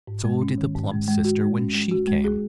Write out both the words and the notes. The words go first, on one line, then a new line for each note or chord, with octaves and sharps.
So did the plump sister when she came.
G#2
G#3
C#4
D#3
G#2
G#3
G#3
F#4
G#3
C#4
G#3
F#4
G#3
G#4